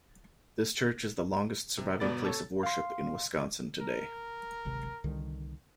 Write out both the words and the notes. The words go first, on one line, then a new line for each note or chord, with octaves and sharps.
This church is the longest surviving place of worship in Wisconsin today.
C3
G1 B2 B3 D5 B5 A6
A4 C#5
F5 C6
A#4
D1 G#1 C3
C2 D3 D#3